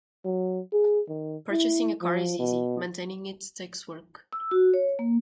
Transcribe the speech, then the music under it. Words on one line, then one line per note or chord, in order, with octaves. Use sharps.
Purchasing a car is easy, maintaining it takes work.
F#3
G#4
D#3
E4
F3
B2
E6
F#4
C#5
A#3